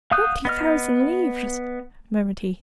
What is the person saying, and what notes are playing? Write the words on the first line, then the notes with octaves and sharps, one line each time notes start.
"Twenty thousand livres!" murmured he.
F5 F#5 D#6 F#6 G6
B3 D#5 F6